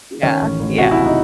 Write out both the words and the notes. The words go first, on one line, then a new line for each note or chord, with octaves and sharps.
Yeah, yeah.
D#3 C#4
A1
A1
C3 F#4
E4
F#1
D#4